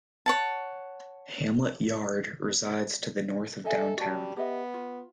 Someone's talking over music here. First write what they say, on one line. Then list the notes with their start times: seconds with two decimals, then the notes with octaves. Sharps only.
Hamlet yard resides to the north of downtown.
0.26 C#5 F#5 A5
3.65 A4 D#5 E5 G#5
3.97 G3 F#4 A5
4.37 B3 G4 D#5 E5
4.74 F4